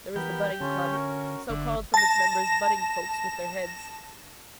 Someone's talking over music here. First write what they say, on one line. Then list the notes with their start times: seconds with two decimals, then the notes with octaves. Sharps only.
There was the Butting Club, so called from its members butting folks with their heads.
0.16 E3 B3 G4 A#4 B5
0.61 D3 C#4 F4 A5
0.93 F#4 A#4 C#6
1.50 G1 D3 E5
1.94 A5 A#6